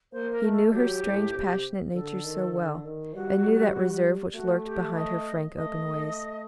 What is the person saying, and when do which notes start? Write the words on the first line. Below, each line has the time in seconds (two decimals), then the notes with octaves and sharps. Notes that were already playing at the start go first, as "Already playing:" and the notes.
He knew her strange, passionate nature so well, and knew that reserve which lurked behind her frank, open ways.
0.12 A#3 C5
0.32 A#4
0.43 A3
0.52 A4
0.72 F#3 G4
1.03 A2
1.34 C3
1.93 D3 A4
2.24 D#3
2.53 D3
2.84 D#3
3.14 G3 F#4
4.34 A3 F#4
4.65 G4
4.95 D#5
5.55 A3 D#5
5.85 A3